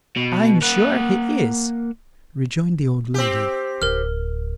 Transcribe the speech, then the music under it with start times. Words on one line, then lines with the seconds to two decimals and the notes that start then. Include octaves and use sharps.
'I'm sure he is,' rejoined the old lady.
0.16 B2
0.62 A#3 F#5
3.14 C4 G4
3.82 D1 A#4 F6